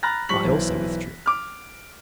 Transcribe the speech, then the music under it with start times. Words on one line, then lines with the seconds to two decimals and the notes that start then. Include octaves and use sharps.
I also withdrew.
0.03 A#5 B5 F6 F#6 A6 A#6
0.29 F3 G3 C#6 B6 F#7
0.44 B1 E3 C5
1.26 D6 F6